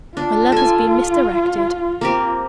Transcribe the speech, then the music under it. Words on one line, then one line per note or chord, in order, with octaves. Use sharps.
My love has been misdirected.
D4 F4
A4 G#5
A#3 C4 G4